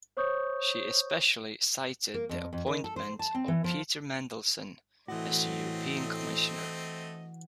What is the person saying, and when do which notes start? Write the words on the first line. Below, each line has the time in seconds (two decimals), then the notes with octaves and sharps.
She especially cited the appointment of Peter Mandelson as a European Commissioner.
0.17 C5 C#5 C#6 D#6 G6
2.14 A#3
2.29 F2
2.53 F2
2.67 D#3
2.84 A4
2.96 C5
3.19 A5
3.35 C4
3.48 E3
3.64 F3
5.08 A2 E3 A3 C4 F#4 D#5